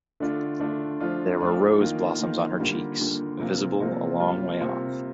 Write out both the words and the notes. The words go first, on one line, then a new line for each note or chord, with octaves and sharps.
There were rose blossoms on her cheeks, visible a long way off.
D3 A3 D4 F4
D3 A3 D4 F4
F3 A3 D4 F4
F3 A3 D4 F4
D#3 A#3 F4
D#3 A#3 F4
D3 G3 A#3 F4
D3 G3 A#3 F4
C3 F3 A#3 F4
C3 F3 A#3 F4
C3 G3 A#3 F4
C3 G3 A#3 F4